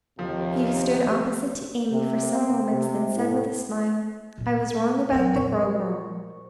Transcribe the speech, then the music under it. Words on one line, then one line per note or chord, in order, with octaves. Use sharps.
He stood opposite to Amy for some moments, then said, with a smile, 'I was wrong about the grogram.
D#2 C3 F3
C3
C4
C3
A2
A#2 C#4
F2 F#3 C4 A#4 F#5
A#2 F#3 A#4 C5 C#6